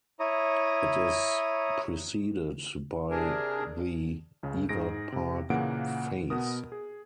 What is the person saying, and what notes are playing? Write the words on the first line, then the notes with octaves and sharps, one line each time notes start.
It is preceded by the Ewart Park Phase.
E4 C#5 A#5 D#6
C3 D4 G#4 A#4
C#2 C#3
G#2 G#4 A#6 D7
C3
A#2 C#3 E3 A#3 F#5 D7
B2 B3 A#4 D#6
G#4